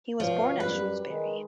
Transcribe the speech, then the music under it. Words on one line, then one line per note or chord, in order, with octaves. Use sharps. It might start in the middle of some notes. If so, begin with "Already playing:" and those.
He was born at Shrewsbury.
G2 B2 F3 C#5
F#2 G3 B4
D#3 G#3